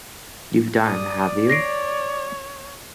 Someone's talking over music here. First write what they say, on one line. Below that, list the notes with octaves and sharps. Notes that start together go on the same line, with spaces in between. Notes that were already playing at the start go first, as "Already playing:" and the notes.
You've done, have you?
D5 D#6
C#5 A#6 C7 D7